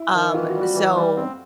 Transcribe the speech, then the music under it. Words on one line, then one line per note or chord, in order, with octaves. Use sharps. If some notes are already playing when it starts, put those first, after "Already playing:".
um, so,
Already playing: E4
D#3
E3 F4
F#4
G3
F#4
E3
G3
C4